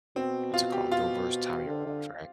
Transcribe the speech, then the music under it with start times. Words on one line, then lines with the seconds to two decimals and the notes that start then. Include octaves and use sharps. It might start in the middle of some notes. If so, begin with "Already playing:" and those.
what's it called? The worst time of your life right?
0.16 B2 C4
0.54 F4
0.72 G4
0.92 F4
1.67 D3
1.87 D3